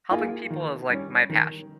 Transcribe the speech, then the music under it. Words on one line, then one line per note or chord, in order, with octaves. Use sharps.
helping people is, like, my passion,
A#3 F4 G#4
D#3
G3 C#4
D#3